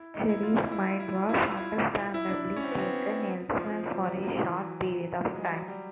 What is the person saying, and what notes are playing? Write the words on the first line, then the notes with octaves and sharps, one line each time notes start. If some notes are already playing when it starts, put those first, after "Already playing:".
Jerry's mind was understandably taken elsewhere for a short period of time.
Already playing: E4
D#4
E4
F4
E4
E4
F4
E4
F4
E4
F4
E4
E4
D4
D4
C#4
C4
B3
C4
F3
F3
F#3
G3
F#3
E3
F#3
F3
F#3
G#3
G3
F#3
G3